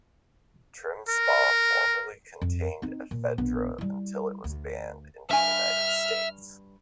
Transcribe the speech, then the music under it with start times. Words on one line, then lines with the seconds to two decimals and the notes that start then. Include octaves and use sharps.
TrimSpa formerly contained ephedra until it was banned in the United States.
1.09 A#4
2.42 F2
2.82 C4 D#4
3.11 A#2
3.38 A#1 B3
3.78 G3 E4
4.44 D2
5.31 G2 E5 G#5 F6